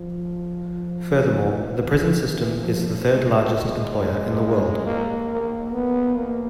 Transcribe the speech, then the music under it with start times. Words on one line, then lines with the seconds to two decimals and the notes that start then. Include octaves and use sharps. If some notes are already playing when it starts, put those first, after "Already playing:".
Furthermore, the prison system is the third largest employer in the world.
Already playing: F3
1.44 E3
1.87 D#3
2.29 E3
2.58 F3
3.15 G#3
4.86 A#3
5.30 A#3
5.72 B3
6.16 A#3